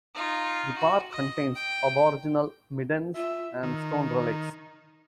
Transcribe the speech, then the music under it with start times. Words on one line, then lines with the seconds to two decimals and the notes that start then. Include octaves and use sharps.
The park contains aboriginal middens and stone relics.
0.15 D#4 F4
0.78 F#4
1.12 D#5
1.56 G5
3.15 F4 E5
3.63 D#3